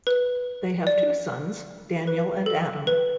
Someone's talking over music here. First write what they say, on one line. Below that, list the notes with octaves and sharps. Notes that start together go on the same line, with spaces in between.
They have two sons, Daniel and Adam.
B4
D5
B4
A4
B4